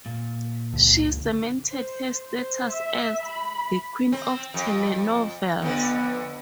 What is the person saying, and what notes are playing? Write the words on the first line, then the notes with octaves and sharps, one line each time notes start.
She cemented her status as "the Queen of Telenovelas".
A#2
F#1 C#2 D3
C5
C5
E5
B5
C4
F2
F2 D3 B3